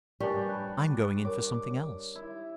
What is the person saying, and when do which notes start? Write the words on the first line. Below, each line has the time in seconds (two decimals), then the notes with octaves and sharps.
I'm going in for something else.
0.20 G3 D4 A#4 B4 G#5 C#6
0.49 A5 B5 F#6
1.25 A#4 C#5 D6
2.15 E4